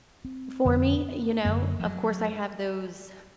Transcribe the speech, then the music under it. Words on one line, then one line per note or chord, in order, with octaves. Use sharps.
for me, you know? Of course, I have those
C4
F2 D3
F#2 D3 A#3
F3
F#3